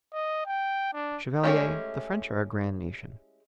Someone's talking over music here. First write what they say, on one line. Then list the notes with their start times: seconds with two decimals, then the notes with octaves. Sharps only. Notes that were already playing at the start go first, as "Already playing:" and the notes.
Chevalier, the French are a grand nation.
0.13 D#5
0.46 G5
0.93 D4
1.44 G#3 A3 C#4 E4 G4